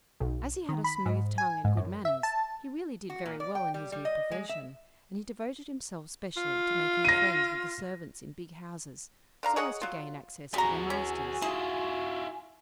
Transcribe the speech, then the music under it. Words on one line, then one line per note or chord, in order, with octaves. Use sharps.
As he had a smooth tongue and good manners, he really did very well in his new profession, and he devoted himself specially to making friends with the servants in big houses, so as to gain access to their masters.
B1
D#3
B5
G#2
G#5
G#2
F#2
E5
A5
F#4
A#2
D5
G5
G3
G3
D#5
G#3
E5
F4
A#6 D#7
D3 F5 A#5
G#4 C#5 D#5 F#5
F#3 F4
G3 F#4 G#4 B4 G#5 A#5
C#4
E4 F4 G#4